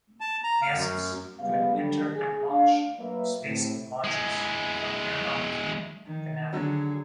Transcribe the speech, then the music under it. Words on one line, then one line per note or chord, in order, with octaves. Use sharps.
Guests could enter and watch space launches from nearby Cape Canaveral.
A5
A#5
F5
F#2
C#3 G3 G#3 B3 F5
F#3 G3 D4 A4
G#4
D4 F5
F#3 A#3 B4 E5
A2 C3
G#3 E4
D#3
D3 F#3 G#4